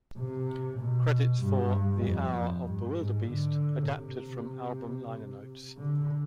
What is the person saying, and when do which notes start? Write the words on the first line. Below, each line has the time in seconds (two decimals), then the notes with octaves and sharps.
Credits for "The Hour of Bewilderbeast" adapted from album liner notes.
0.18 C3
0.80 B2
1.42 G2
2.04 F2
2.36 F2
2.67 G2
2.98 G#2
3.28 D3
3.91 C3
5.77 D3